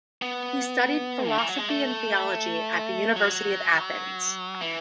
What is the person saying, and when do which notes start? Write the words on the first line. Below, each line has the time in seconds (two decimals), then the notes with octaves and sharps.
He studied philosophy and theology at the University of Athens.
0.22 B3
1.28 D3
1.38 E3
1.48 F#3
1.58 G#3
1.69 A3
3.16 F#3
4.62 E3